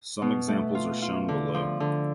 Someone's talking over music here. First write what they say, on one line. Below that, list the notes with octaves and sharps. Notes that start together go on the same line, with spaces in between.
Some examples are shown below.
B2
A3
F4
F4
D3
F3
D3